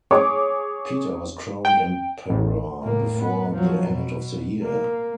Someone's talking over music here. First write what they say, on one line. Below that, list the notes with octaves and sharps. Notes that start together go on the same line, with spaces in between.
Peter was crowned emperor before the end of the year.
G#4 C#5 D6
G5
A1
A2 A#3
B3
F3 F#3
B2
A#3